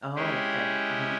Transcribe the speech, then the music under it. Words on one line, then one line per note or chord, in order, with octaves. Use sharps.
Oh, okay, uh-huh.
G#3 C#4 E4 G4 G#4